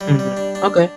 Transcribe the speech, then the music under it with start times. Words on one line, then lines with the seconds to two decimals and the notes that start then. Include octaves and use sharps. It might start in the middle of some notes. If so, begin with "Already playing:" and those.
Mhm. Okay.
0.01 G3
0.19 G3
0.37 D4
0.55 D4